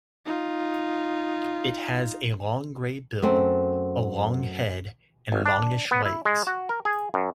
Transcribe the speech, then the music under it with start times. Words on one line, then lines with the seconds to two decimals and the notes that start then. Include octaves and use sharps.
It has a long grey bill, a long head, and longish legs.
0.25 D#4 F4
3.22 F#2 A3 C4
5.32 G#1
5.46 D4
5.91 B3
6.05 E4
6.25 G#3
6.47 F#4
6.69 A#4
6.85 G#4
7.14 F#2